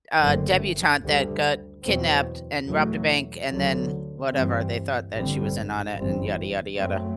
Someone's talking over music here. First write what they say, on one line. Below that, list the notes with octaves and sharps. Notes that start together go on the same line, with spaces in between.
uh, debutante that got kidnapped, and robbed a bank, and then, whatever. They thought that she was in on it, and yada, yada, yada.
F#1 F#2 D3 A3 C4
D2 D3 G3
E2 B2 F#3 C4
E2 B2 F#3 A3
D2 D3 F#3
G2 E3 G3 C4
A1 G2 D3 G3 C4
G1 F#2 E3 G3 C4
F#2 F#3 A3 C4